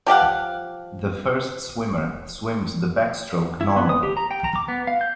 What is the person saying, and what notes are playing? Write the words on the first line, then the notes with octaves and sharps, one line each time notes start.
The first swimmer swims the backstroke normally.
F3 G4 F5 F#5
E4
B3
D#6
G4
A#5
G5
A#5
D6
B3
F5
G6